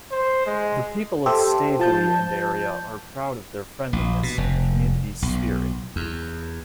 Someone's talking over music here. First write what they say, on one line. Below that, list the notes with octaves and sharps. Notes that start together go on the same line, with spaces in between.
The people of Stavely and area are proud of their friendliness and community spirit.
C5
G#3
G4 A4 C5 E5
F3 A5 G6
A#1
B2
F1
B1
E2